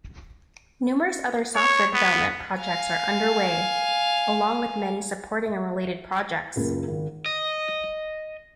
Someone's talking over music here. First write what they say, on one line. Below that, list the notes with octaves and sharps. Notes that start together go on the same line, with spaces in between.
Numerous other software development projects are underway, along with many supporting and related projects.
C#5
B3
F5 G#5
E5
F#1 C#2 A#3
G#1
D#5